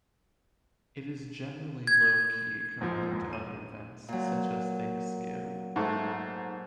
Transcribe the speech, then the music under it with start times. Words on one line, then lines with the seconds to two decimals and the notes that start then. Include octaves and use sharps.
It is generally low-key compared to other events, such as Thanks-Give.
1.87 G#6
2.80 F1 G#2 F3
3.12 E1 G#2
3.33 D#7
4.08 A#2 F#3
5.76 G#2 A3